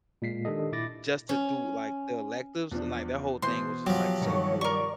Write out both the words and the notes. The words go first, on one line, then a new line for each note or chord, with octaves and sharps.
just to do, like, the electives. And, like, that whole thing was just, like, so cool to me.
A#2 G#3 B6 C7
D#3 D4 G4 A4 D#5
A#2 E4 D6 A6 A#6
C#4
E2 F3 D4
B2 E3 C5 C6
F3 F#3 G4
G2 C3 D#3 C#5
A#4 D5 C#6